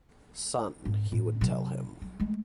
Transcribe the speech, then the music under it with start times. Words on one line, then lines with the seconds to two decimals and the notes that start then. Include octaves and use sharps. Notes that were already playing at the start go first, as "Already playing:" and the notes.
"Son," he would tell him.
0.85 G#2 C4
1.12 A2
1.41 C3 F#3
2.02 F#3
2.20 G#3 A3